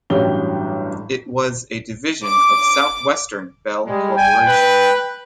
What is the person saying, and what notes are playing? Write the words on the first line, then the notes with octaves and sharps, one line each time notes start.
It was a division of Southwestern Bell Corporation.
A1 G2 F#3 G4 G7
D6
G3 G#3
G3 G5 G#5
B4